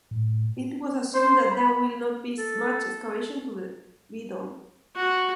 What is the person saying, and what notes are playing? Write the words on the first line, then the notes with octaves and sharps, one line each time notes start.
It was assumed that there will not be much excavation to be done.
A2
C5
B5
A4
F#4